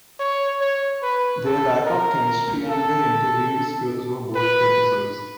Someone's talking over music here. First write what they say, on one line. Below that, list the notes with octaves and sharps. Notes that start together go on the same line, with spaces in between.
Their lack of chemistry and their interviewing skills were both criticized.
C#5
C#5
B4
A4
A#4
A4
B4